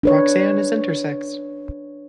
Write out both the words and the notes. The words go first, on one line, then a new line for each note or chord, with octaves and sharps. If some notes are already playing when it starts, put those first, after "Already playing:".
Roxanne is intersex.
D4 B4 C#5